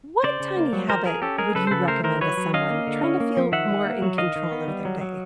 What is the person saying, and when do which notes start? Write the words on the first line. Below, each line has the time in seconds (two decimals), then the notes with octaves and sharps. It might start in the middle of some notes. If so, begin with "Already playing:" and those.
What tiny habit would you recommend to someone trying to feel more in control of their day?
0.24 C#3 C5 D5
0.40 C#3
0.57 A#3
0.73 F#3
0.89 F3 A#4 C5
1.06 F3 G#4 A#4
1.22 C#4 G4 A4
1.38 G#3 G#4 A#4
1.55 C#3 A4 B4
1.67 C5
1.71 C#3 A4 B4
1.88 A3 A#4 C5
2.04 E3 A#4 C5
2.21 F#3 B4 C#5
2.37 F#3
2.54 C#4 D#5 F5
2.70 A#3
2.87 D3
3.03 C#4
3.20 A#3
3.37 F3
3.52 D#3 E5 F#5
3.70 D#3
3.85 A#3
4.02 F#3
4.18 D#3 D#5 F5
4.36 D#3
4.52 B3
4.68 G3
4.85 F#3
5.01 F#3